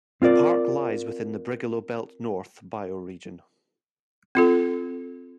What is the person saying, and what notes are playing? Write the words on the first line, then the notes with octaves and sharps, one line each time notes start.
The park lies within the Brigalow Belt North bioregion.
C4 F4 A#4 D5
C4 F4 A4